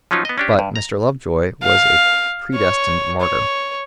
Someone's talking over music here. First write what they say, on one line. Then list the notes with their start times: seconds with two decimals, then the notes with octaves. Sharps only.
But Mr. Lovejoy was a predestined martyr.
0.11 F3 F#3 C#4 D#4 F4
0.25 B3 D#5
0.38 C#4 D4 G4
0.59 G2
0.76 A#5
1.63 F5
2.54 C#5
3.21 C#5